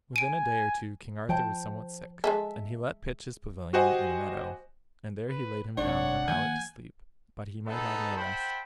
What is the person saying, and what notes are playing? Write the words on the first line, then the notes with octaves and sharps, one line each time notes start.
WITHIN a day or two King Arthur was somewhat sick, and he let pitch his pavilion in a meadow, and there he laid him down on a pallet to sleep, but he might have no rest.
G#5 D7 D#7
F3 C5 G5 A5
G#3 G#4 A4 E5
F#4 G4 C5 D#5 F#5 G#5
B4
G#1 C3 D4 C#5 D5 F#5
D#3 F3 A#3 G#5 G6
B3 C#4 D#4 G#4 A4
C5 E5 F#5 G5 A5 B5